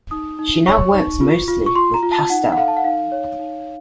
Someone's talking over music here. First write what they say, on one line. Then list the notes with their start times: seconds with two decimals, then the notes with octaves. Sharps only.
She now works mostly with pastel.
0.11 D#4 D#6
0.39 D#4
0.66 C#5 C#6
0.94 D#4
1.21 F4
1.48 F4
1.66 C#6
1.75 F4 C6
1.94 A#5
2.03 F4
2.12 A5
2.30 D#4 F#5
2.52 F#5
2.57 A4 F5
2.68 A5
2.77 F#5
2.84 D#4 F5
3.12 C#5
3.40 D#4